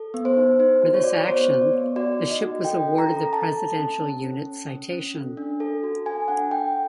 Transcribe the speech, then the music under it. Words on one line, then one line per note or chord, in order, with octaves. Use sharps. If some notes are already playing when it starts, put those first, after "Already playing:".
For this action, the ship was awarded the Presidential Unit Citation.
Already playing: A4
B3
C5
D#4
D#4 C5
F#4
C#5
F#4 D5
C#5
B3 C5
F#4
D5
B3
F#4 D5
D#4
D#5
F#4
A4 G5
C#4
A#5
A4
A4 A5
A4
C#4
C#4
C#4
C#4
C#4
C#4
A4
D4
A4
F#4
A4 G#5
D4 F#5
A4 G5